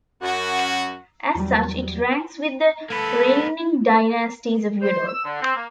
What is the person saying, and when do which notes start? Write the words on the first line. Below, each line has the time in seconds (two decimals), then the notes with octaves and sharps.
As such it ranks with the reigning dynasties of Europe.
0.22 F#2 F#4
1.35 E2 F#3 G3
2.90 A#3 A4 B4
4.82 C5
5.07 E6
5.25 D3
5.42 C4
5.55 A#3